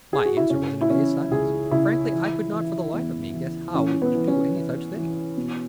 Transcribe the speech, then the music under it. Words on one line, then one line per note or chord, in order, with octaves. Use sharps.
My answer was an amazed silence, for frankly I could not for the life of me guess how we were to do any such thing.
G#4
F#4
E4
C#3 C#4
E4
E3 C#4
C#2 G#4
C#3 E4
E3
E3
E2
E3
E3 C#4
B3
E3
C#4
E3
E3
B2